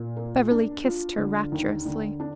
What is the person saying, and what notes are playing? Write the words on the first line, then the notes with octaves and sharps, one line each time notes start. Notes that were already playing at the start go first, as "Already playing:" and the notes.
Beverly kissed her rapturously.
Already playing: A#2
A#3
D4
F4
D3
D#2
D3
D4